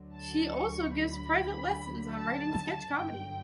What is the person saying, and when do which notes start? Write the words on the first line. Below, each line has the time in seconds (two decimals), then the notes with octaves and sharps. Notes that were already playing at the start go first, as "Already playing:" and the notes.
She also gives private lessons on writing sketch comedy.
Already playing: D2 D3 F#3
0.15 A5
0.54 C#6
0.95 B5
2.14 A5
2.94 G1 F#2 D3 F#3 G5